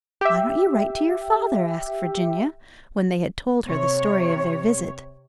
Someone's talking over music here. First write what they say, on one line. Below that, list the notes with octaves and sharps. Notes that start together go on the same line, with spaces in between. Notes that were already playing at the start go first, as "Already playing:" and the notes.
"Why don't you write to your father?" asked Virginia, when they had told her the story of their visit.
G4 E5
C3 C#5